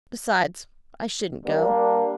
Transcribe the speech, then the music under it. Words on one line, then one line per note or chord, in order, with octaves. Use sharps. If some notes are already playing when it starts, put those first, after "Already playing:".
Besides, I shouldn't go.
G3 A#3 D4